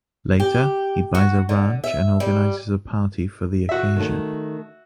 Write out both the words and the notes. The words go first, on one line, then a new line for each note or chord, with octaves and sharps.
Later, he buys a ranch and organizes a party for the occasion.
G4
F#4
D3
E5
G3
F#4 E5
D#3 A3